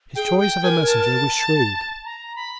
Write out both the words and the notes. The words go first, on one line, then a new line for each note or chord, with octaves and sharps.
His choice of a messenger was shrewd.
G#4 G5
G5
A#4 G#5
A5
A#5
B5